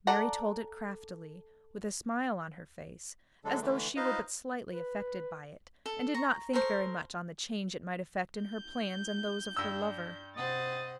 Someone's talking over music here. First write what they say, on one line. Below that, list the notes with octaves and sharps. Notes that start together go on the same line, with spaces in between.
Mary told it craftily, with a smile on her face, as though she were but slightly affected by it, and did not think very much on the change it might effect in her plans and those of her lover.
A4 D5 F#5 A#5
D3 F#3 G#3 D4 A4
D3 E3 A3
D#4 F4 B4 C5 D#5 F5
B4
A4
A#5 C#6
A4 A#4 C5 C#6
G6
G2 D4 E6
C3 C5 D#5 F#5 A6